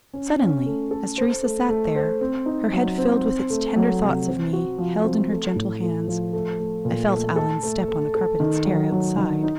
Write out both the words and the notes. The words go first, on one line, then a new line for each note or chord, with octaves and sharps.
Suddenly, as Theresa sat there, her head, filled with its tender thoughts of me, held in her gentle hands, I felt Allan's step on the carpeted stair outside.
C#4
C#4
A3
A4
C5
A3
A3
C5
C4
D#4
F#3
C4
C4
A3
F#3
C3
C4
F#4
F3
C4
A3
A2
A3
F3
A3
A3
A#2
A3
A4
A3
A3
A4
D#3
F#3
F#3
D#3
D#4